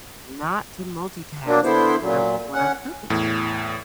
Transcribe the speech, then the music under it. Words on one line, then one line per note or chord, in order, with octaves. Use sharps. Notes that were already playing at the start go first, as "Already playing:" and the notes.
not to multitask when I'm when I'm cooking.
F#3 A#3 D4
D3 B3 E4 C5
A#2 F#3
C#4 F#5
E2 A2